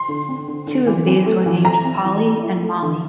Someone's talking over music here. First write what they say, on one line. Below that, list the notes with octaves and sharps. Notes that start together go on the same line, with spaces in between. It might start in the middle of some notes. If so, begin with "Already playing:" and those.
Two of these were named Polly and Molly.
Already playing: C6
D3
C4
D3
D3
E3
C4
A3
E3
E3 A#5
C4
E3
A3
E4
A3
D3